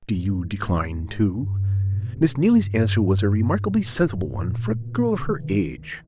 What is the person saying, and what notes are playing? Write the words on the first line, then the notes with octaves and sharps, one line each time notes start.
Do you decline too?' Miss Neelie's answer was a remarkably sensible one for a girl of her age.
G#2
G2
G#2
G2
G2
A#2
B2
C#3
C#3
G2
G2
G#2
A#2
B2
E2
G2
E2
G2
A#2
B2
A#2
B2
C#3
D#3
E3
D#3